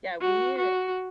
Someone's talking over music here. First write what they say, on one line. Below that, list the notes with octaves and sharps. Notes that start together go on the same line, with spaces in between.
Yeah, we, uh
F#4
F#4